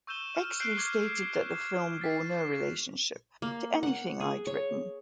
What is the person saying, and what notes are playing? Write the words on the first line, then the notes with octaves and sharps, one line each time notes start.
Exley stated that the film bore no relationship to anything I'd written.
C#6 E6 G6 D#7 E7 G7
F6
F#6 G6 C7 D7
C#6 D6 F6 G#6 C7
E7
A6 B6 C7
A#3
F#5
G#4
C#5